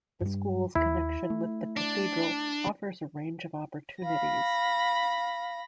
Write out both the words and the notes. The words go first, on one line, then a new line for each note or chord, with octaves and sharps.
The school's connection with the cathedral offers a range of opportunities.
G2 G3
D#2 E4
A3
D4
F5 B5 A#6